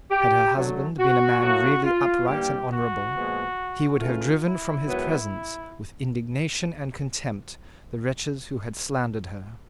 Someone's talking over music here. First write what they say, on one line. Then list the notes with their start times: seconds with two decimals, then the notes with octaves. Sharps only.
Had her husband been a man really upright and honourable, he would have driven from his presence with indignation and contempt the wretches who had slandered her.
0.11 G4
0.54 D3 F#3 A3
0.98 F#4
1.41 A2 F#3 A#3 F#4
1.83 F4
2.27 G2 E3 G3 A#3 G4
2.71 F#4
3.14 A#2 F3 G#3 B3
4.00 C#3 E3 A3 F4
4.43 E4
4.86 G#2 D#3 F#3 B3